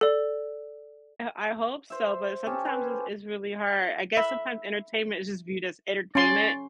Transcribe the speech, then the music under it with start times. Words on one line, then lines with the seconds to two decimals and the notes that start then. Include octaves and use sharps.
I I hope so, but sometimes it's it's really hard. I guess sometimes entertainment is just viewed as entertainment,
0.01 A4 D5
1.90 C5 E5
2.47 C#4 G4 A4
2.65 C#4 B4 C5
4.17 E5 B5
6.15 C#4 D5 C6